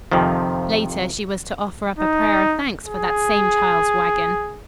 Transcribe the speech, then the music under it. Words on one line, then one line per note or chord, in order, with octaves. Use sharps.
Later she was to offer up a prayer of thanks for that same child's wagon.
F2 C3 D#3 F3
D#4
G#4